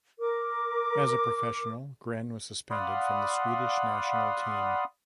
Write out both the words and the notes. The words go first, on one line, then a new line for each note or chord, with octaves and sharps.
As a professional, Gren was suspended from the Swedish national team.
A#4 D6
D5 F5 F#5 B5 C6 D#6